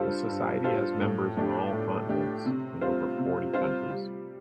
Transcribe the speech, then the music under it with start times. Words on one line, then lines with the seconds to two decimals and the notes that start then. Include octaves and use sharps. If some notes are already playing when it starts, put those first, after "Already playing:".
The Society has members in all continents, in over forty countries.
Already playing: G2 G3 F4 A4 C5
0.28 G2
0.64 G3 F4 A4 C5
1.01 A2
1.37 A3 D4 G4
1.73 A2
2.09 A3 D4 G4
2.46 C3
2.81 G3 F4 C5
3.18 C3
3.53 G3 F4 C5
3.90 G3